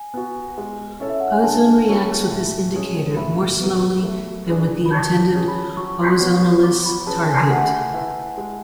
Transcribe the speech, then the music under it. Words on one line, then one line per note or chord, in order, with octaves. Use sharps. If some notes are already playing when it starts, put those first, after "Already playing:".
Ozone reacts with this indicator more slowly than with the intended ozonolysis target.
Already playing: G#5
B3 F#4
G#3
C#4 E4 A4 C#5
E5
F#5
G#5
D3 A5
F#3 C#4 E4
A2
G#3 C#4 G#4
A2 B5
F#3 B3
A3
D4 G#4 B4
B5
F#3 A5
C#4 G#4
B5
F#3 C#6
B3 F#4 C#5
F#3 D6
B5
B5
C#4 G#4 B4 A5
G#5
A3 F#5
E4 B4
G#3